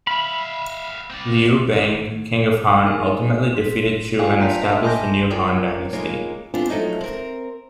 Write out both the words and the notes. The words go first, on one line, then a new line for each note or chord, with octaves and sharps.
Liu Bang, king of Han, ultimately defeated Chu and established the new Han dynasty.
E5 F5 B5
C4 D5
D#3
A2
D#4 G#4 A#4 G#5
C6 B6
F4 D5 F5 G5 G#5
A3 D4 A#5 C6 B6
D#5 E5 G5 A5 C6
G#5 B5 C6 D6 G6 A#6
C#4 F4 A#4 D5 G5
C#3 G#3 A#3 D#4 F4 C#5
G#3 B3 C4 D4 F4
F3 F#3 A3 D#4
C4 A#4